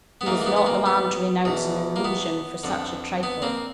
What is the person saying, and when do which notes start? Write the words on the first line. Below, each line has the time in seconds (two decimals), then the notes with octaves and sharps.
He was not the man to renounce an illusion for such a trifle.
0.21 B3
0.26 G#2 E3 A#3
0.41 A#3
0.46 B3
0.56 B3
0.66 A#3
0.86 B3
1.45 E2 B2
1.96 A#3
2.05 B3
2.64 F2 D3
3.23 B3
3.42 A#3 C4